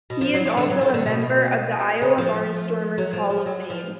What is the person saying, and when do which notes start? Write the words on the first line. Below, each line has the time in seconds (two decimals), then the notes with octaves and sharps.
He is also a member of the Iowa Barnstormers Hall of Fame.
0.10 B2
0.21 F3
0.34 F#3
0.45 F3
0.57 D3
0.70 F#3
0.81 F3
0.94 D3
1.06 B2
2.02 C#3
2.18 F3
2.33 F3
2.98 F#3
3.13 F3
3.30 F3
3.46 F#3
3.70 F3